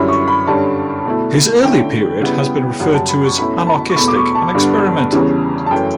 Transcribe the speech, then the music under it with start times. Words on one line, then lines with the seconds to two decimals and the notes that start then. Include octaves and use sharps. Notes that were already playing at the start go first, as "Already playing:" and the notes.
His early period has been referred to as ", anarchistic and experimental".
Already playing: F#2 D3 G3 C#4 E4 B5
0.08 C#6
0.28 B5
0.47 G2 D3 G3 C#4 A5
1.05 B2 A3 E4
1.64 D3 A3 C#4 E4 G5
2.22 C#3 G3 B3 E4
2.80 F#2 C#3 G3 F#5
2.94 A5
3.09 B5
3.24 C#6
3.38 B2 A3 C#4 E4 B5
3.67 A5
3.90 C#6
3.96 E2 B2 A3 B5
4.08 D6
4.16 C#6
4.35 A5
4.54 G2 D3 G3 B3 D4
5.12 E2 C#3 E3 G3 C#4
5.66 A5
5.71 F#2 E3 A3 C#4 G5